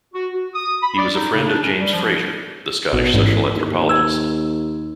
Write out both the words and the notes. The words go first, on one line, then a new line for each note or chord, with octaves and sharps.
He was a friend of James Frazer, the Scottish social anthropologist.
F#4
F#4
D#6
B5
D5
D#4
C#3
D4
C#4
G3
F3
A1 B2
A1 G#2
D#2
E6 G#6